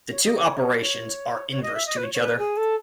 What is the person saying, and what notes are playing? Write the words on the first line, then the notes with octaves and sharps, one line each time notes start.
The two operations are inverse to each other.
C#5
D#5
C#5
C#5
C#5
D#5
E5
D#5
B4
C#5
C#5
B4
G#4
A4